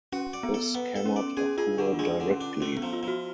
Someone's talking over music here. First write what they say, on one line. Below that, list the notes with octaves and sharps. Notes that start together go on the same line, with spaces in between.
This cannot occur directly.
C#4 F#4
D5
B3
A4
B3
A4
C#4
D5
C#4 G#4
F4 G#4
D3 D4
F4
G#3 D4
D3
C#4
D4
A3 C#4
B3
F3
F4
F3 F#4